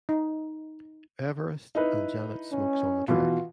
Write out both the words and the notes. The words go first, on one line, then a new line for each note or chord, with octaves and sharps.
Everest, and Janet smokes on the trek.
D#4
D#4 E4 B4
C#4
B2 E3 F4